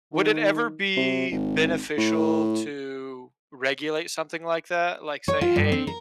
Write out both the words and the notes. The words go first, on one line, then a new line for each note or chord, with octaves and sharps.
would it ever be beneficial to regulate something like that? Like, say, "Hey,
D#3
C3
G#1
A2
C#5
F4
G2
C4
A#4